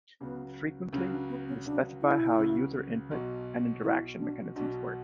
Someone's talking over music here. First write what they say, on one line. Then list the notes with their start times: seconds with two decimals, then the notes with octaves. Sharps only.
Frequently they specify how user input and interaction mechanisms work.
0.21 C#2 C#3 F#3 B3
0.92 C#2 C#3 F#3 C#4
1.11 D4
1.29 B3
1.48 C#4
1.65 C#2 C#3 F#3 D4
2.01 E4
2.38 C#2 C#3 F#3
3.11 B1 B2 F#3
3.83 B1 B2 F#3 E4
4.19 D4
4.55 B1 B2 F#3 D4